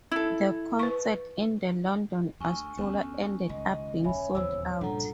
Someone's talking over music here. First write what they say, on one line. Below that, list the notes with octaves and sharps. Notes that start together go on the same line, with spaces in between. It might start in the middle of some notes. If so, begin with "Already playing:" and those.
The concert in the London Astoria ended up being sold out.
E4 A4
B4 C#6
D2 G#5 C#6 G7
D2 B3 C#4
C#2 D#3 D#5
D#2 C#3 C#5 E5 G#5 B5
D#1 E2 C5 E6
C#2 G2 A#2 F3 D4 A4 F#5 A#5